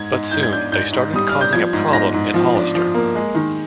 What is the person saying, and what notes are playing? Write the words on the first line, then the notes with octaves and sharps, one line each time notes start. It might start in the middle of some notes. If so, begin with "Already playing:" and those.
But soon, they started causing a problem in Hollister.
Already playing: G#2 G#6
G#2
G#2 G6
G#6
D4 G6
G#2 G6
G#2
G3 D#6
D4 F6
G6
F3 G#6
G#2
G#2 A#6
G#2
F3
D4
F3
A#3
G#3
D#3